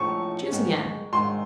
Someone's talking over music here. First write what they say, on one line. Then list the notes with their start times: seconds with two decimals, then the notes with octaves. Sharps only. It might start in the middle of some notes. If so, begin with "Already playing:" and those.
Choose again.'
Already playing: A2 F3 A3 C#4 C#6
0.51 G#2 D#3 G#3
1.13 G#2 D#3 G#3 C6